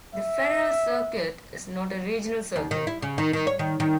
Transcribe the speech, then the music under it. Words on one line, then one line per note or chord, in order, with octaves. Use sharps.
The Federal Circuit is not a regional circuit.
E5
D#2
D#3
E4
C#3
D#3
D#3
C#5
D#3
D#3